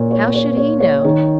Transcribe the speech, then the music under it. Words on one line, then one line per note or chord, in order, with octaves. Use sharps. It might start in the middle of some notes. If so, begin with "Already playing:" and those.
'How should he know?
Already playing: A#2 C#5
C#5
C#5
C#5
C#5
D#3